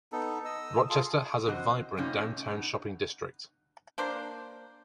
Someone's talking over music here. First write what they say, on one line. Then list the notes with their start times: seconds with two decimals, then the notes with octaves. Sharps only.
Rochester has a vibrant downtown shopping district.
0.12 B3 D#4 A4
0.45 D#5 E6
0.89 F4 G#4 A4
1.46 C3 E3 F#4 C5 D5 D#5
1.97 F2 A2 C3 C#4 D#4 F4
2.46 B2 D#4
3.98 A#3 D4 C5